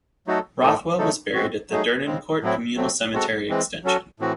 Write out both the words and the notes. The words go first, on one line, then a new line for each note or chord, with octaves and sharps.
Rothwell was buried at the Dernancourt Communal Cemetery Extension.
F#3 A3 D#4 F#4 A4
A2 E3 A3 D#4 A4
C#3 F#3 A3 D#4 A4
G#3 C4 F#4
F#3 A3 D#4 G#4
C#3 G#3 C4
A2 F#3 C4 E4
F#3 A3 C4
G#3 C4 F#4 A4
E3 G#3 C4
F#3 C#4 F#4 A4
A2 E3 C4 F#4